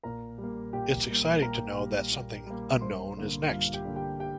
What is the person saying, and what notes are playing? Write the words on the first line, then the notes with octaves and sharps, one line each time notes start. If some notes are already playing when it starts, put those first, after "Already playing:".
It's exciting to know that something unknown is next.
A#2 A#4 A#5
G3
A#3
A#2 G4 G5
G3 A#3
A#2 A#4 A#5
G3 A#3
A#2
G3 A#3
G2 C5 C6
D3 A#3
G2 F4 F5
G4 G5
D3 A#3
G4 G5
G4 G5